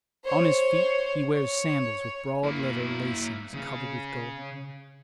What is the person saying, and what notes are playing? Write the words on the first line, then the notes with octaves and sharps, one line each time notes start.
On his feet he wears sandals with broad leather lacings covered with gold.
C5 C#5
C#5
A#3 E4
C#3